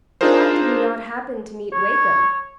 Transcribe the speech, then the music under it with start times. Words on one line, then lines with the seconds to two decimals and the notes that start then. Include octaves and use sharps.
Why did he not happen to meet Wakem?
0.21 D4 D#4 F4 G#4 A#4 C5
1.72 C#5